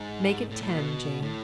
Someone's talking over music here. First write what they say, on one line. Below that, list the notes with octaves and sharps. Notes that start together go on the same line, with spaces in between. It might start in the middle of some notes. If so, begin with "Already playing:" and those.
"Make it ten, Jane."
Already playing: G#2
A2
A2
B2
A2